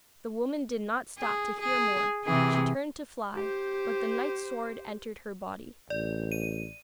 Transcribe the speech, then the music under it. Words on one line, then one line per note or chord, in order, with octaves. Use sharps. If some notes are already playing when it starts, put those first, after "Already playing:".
The woman did not stop to hear more; she turned to fly; but the knight's sword entered her body.
G#4
G#4
C3 E3 G#4
G4 C5
A1 D5
D#7